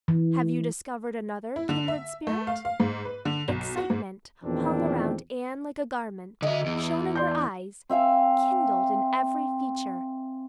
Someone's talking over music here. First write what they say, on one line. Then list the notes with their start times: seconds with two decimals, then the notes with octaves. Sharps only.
"Have you discovered another kindred spirit?" Excitement hung around Anne like a garment, shone in her eyes, kindled in every feature.
0.08 E3
1.56 E4
1.69 D3
1.88 E5
2.27 A3
2.47 F5
2.65 F5
2.80 G#2
3.05 B4
3.25 D3
3.48 B1
3.77 F#4
3.90 G#2
4.44 E2 A#2 D#3 F3 C4 D4
6.42 D3 D#5 E5
6.66 E2
7.16 D5 C6 G6
7.89 C4 E5 F5 G#5